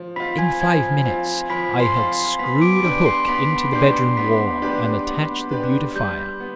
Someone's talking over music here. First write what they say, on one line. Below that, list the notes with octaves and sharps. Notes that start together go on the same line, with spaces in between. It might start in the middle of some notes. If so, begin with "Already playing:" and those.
In five minutes I had screwed a hook into the bedroom wall and attached the beautifier.
Already playing: F3
C4 F4 B5 B6
G#5 G#6
F3 G#5 G#6
C4 F4
F3 B5 B6
C6 C7
C4 F4
B3 B5 B6
D6 D7
D4 G4 B4 D6 D7
C6 C7
B3 B5 B6
D4 G4 B4 C6 C7
B3 B5 B6
D4 G4 B4
B3
D4 G4 B4
G3 G6
B3